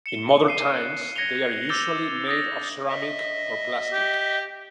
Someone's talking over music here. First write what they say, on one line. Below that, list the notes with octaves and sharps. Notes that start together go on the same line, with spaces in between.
In modern times, they are usually made of ceramic or plastic.
C#7 E7 G7
C7 D#7
F#6
G#6 A#6 C#7 D#7 F7 G7
D6 E6 G6 A6 F7 G7
D#6 A6 A#6
D#5 E5
G4